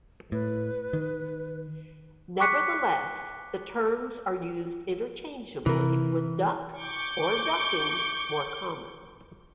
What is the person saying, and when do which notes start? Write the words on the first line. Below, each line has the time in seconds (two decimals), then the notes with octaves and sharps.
Nevertheless, the terms are used interchangeably with duck or ducking more common.
0.32 A2 B4
0.93 D#3
2.40 C#6 D6 F#6 B6 C#7
5.66 C3 E3 A#4
6.80 C#6 D6 G6